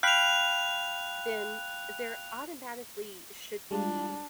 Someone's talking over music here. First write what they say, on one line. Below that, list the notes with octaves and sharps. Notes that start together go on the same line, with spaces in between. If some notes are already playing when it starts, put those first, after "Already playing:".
then there automatically should be,
F5 G5 B5 F#6 F7
G3 G#3 D4 F4